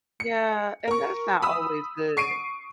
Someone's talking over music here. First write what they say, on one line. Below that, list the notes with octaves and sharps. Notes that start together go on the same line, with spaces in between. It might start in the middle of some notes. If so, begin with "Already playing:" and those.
Yeah, and that's not always good.
C#7
A#4 C#6
B5 D#6 E6
C#6 C7 D7 D#7